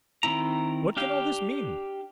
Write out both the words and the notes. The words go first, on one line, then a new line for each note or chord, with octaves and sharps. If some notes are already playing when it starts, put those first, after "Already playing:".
"What can all this mean?"
D#3 C4 E4 A#5
D4 G4 F5 G5